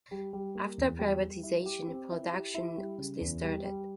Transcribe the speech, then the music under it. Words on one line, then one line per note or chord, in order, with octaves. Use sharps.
After privatisation, production restarted.
G3
G3
A#3
E2
G3
G3
E4
G4
C4
E4
G4
E4
G3
C#3
E2
G3
G3